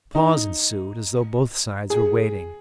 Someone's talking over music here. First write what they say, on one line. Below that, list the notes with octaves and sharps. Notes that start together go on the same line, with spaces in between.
A pause ensued, as though both sides were waiting.
D#4
G#4